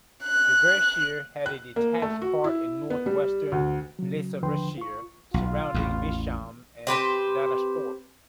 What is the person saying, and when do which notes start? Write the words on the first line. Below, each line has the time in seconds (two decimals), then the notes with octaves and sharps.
Derbyshire had a detached part in north-western Leicestershire, surrounding Measham and Donisthorpe.
0.23 F#6
1.46 F#6
1.76 A#3
2.02 A3
2.22 F#4
2.44 E4
2.90 B3
3.06 G3
3.52 D2
3.99 C#3 F#3
4.43 D#2 D3 F3 B4 G5 C6
4.78 F4 C#6
5.34 B1 F4
5.74 A1 E2
6.87 C4 G4 B4 C5